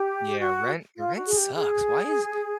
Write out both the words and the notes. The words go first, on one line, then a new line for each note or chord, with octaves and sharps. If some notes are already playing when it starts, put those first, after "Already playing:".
Yeah. Rent your rent sucks. Why is
Already playing: G4
F#4
F4
F#4
G#4
G4
G#4